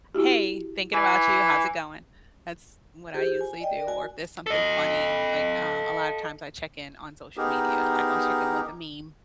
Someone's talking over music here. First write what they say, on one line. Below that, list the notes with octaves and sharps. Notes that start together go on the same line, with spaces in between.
"Hey, thinking about you. How's it going?" That's what I usually do, or, if there's something funny, like, um, a lot of times I check-in on social media, like, I'll check-in with a meme,
E4 F#4 G4
E3 G#5
F4 G4 G#4 C5
G#5
D5 D#5 G5
A#4 D5
F#4 G#5
A4 D#5
B3 D#4 G4 G#4 A#4